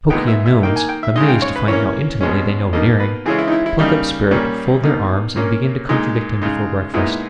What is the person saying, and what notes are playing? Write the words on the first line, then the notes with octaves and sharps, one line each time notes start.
Pokey unknowns, amazed to find how intimately they know Veneering, pluck up spirit, fold their arms, and begin to contradict him before breakfast.
A#2 G#3 B3 D#4 G5
E5
E5
D#3 A#3 D#4 G5
G#5
G5
E5
C#3 G#3 D#4 D#5
G5
C#5
B4
E3 A#3 C#4 C#5
B2 G#3 C#4
B2 A#3 D#4 D#5
B4
C#3 E3 G#3 C#4 G#4
E4
D#4
E4
E4
C#3 G3 A#3 D#4
A#2 G3 A#3 C#4
B2 A#3 D#4
A#2 A#3 C#4
A#2 G#3 D#4
C#3 G#3 D#4
A#2 G#3 B3 D#4 E4